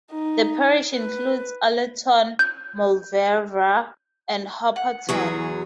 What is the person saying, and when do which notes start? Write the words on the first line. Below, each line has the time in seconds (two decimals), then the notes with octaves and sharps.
The parish includes Allerton Mauleverer and Hopperton.
0.12 D#4
0.93 B4
2.39 G6
4.76 F#5
5.09 E2 E3 F#3 G#4 A#4 G#5 C#6